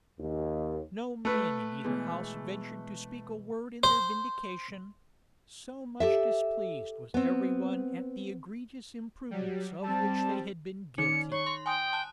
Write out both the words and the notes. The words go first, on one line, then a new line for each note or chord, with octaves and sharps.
No man in either house ventured to speak a word in their vindication; so much displeased was every one at the egregious imprudence of which they had been guilty.
D#2
A3 B4
B2 E3 G#3
C5
G4 A4 E5
B3 C4
F#3 G3
G3 C4 A5
D#3 D#4 C#7
C#5 C#6
C6
G5 G#5 C6 D#6
A5 F#6